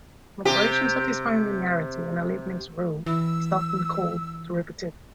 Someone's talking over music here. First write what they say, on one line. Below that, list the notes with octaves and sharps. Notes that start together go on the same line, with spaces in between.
An operation satisfying linearity and a Leibniz rule is often called a derivative.
C3 G4
E3 E6